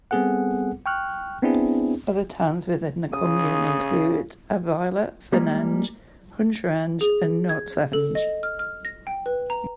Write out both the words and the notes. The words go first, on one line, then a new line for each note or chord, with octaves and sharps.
Other towns within the commune include Abweiler, Fennange, Huncherange, and Noertzange.
G3 B3 C4 G#4 A4 F#5
G5 C#6 F6 F#6
B3 C4 D4 E4 G#4
C#3 D#6
G3 G#3 A#3
G#4
G#6
A4
D#5
F6
F6
A#6
G5
B4
A#5